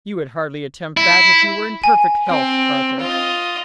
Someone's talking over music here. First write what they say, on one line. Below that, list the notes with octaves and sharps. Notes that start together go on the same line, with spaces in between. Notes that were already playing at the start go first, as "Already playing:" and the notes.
"You would hardly attempt that if you were in perfect health, Arthur."
E4
G#5
C4
F4 D#5